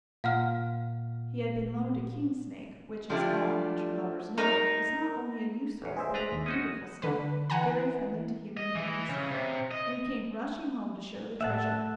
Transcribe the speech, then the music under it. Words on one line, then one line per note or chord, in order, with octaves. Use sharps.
He had been loaned a king-snake, which, as all nature-lovers know, is not only a useful but a beautiful snake, very friendly to human beings; and he came rushing home to show the treasure.
A#2 F5 F#5 F6
F3 G3 A3 D4 E4 F4
D#4 A#4
A1 E2
C#2 G#4 C5 E5
D4 B4 A#5
D#2
C#4 D#4 F#4 D#6
D3 B4
E3 F#5 G#5 A#5
D#5
E3 E4
C#3
C3
D#5
A2 A3 E5 F#5 A5